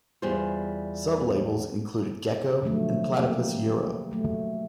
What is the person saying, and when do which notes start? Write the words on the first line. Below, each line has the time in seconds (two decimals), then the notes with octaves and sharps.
Sublabels included Gekko and Platipus Euro.
0.22 E2 G3 F4 G#4 C5
2.62 B2 D3 F3 F#3 A3
3.19 A#3 G4
4.11 F#3 A3